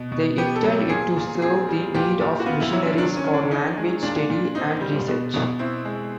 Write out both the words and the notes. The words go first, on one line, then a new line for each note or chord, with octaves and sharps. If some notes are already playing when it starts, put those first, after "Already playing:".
They intended it to serve the need of missionaries for language study and research.
Already playing: B2
B2
B3 G4
A4
F#3
A#4
A#2 G#4
A#2
C4 G#4
G3
A#2 G4
A#2
F#4
B3 F4
E4
F#3 E4
D4
D#3 D4
C#4
D#3
D4
C#4 D#4
G#3
A#2 D4
A#2
C4 D#4
G3
B2
B2
C4 E4
G#3